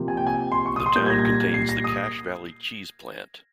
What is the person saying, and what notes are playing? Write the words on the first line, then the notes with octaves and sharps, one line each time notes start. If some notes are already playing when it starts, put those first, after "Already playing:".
The town contains the Cache Valley Cheese plant.
Already playing: C3 F3 A#3
G#5
G5
G#5
C6
C#6
D#6
C6
A#2 G3 A#3 G6
G#6
A#6
G#6
A#6
G#6
C7
A#6
D#6